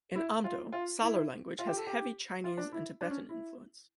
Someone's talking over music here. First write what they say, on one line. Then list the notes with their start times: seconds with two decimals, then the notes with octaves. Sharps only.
In Amdo, Salar language has heavy Chinese and Tibetan influence.
0.15 E4
0.44 F4
0.73 F4
1.02 E4
1.59 F4
1.67 G4
1.77 A4
1.87 G4
2.44 F4
2.57 D4
2.72 E4
3.01 D4
3.10 C#4
3.29 E4